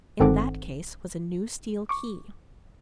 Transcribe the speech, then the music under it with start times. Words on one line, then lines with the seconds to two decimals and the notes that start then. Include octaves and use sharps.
In that case was a new steel key.
0.20 G1 D#3 C4 A4 F#5 D6
1.89 C#6 D6